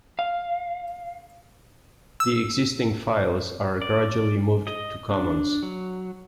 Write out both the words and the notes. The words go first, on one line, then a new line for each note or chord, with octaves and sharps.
The existing files are gradually moved to Commons.
F5
E6
D5
D#5
D4
F#3